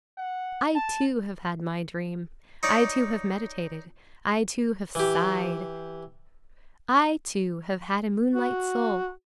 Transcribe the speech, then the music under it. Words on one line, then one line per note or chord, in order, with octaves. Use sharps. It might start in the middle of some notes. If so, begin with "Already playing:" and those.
I, too, have had my dream, I, too, have meditated, I, too, have sighed; I, too, have had a moonlight soul.
F#5
A5
D#4 C#5 D5
E3 G4
F#4